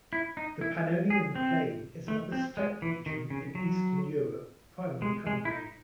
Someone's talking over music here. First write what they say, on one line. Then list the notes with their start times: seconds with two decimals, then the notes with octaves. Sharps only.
The Pannonian Plain is another steppe region in eastern Europe, primarily Hungary.
0.13 E4
0.37 D#4
0.61 E4
1.10 G#4
1.35 C4
2.08 A3
2.32 C4
2.57 G#3
2.82 E3
3.06 D#3
3.30 C#3
3.55 F#3
5.02 G#3
5.27 G#3
5.45 E4
5.51 D#4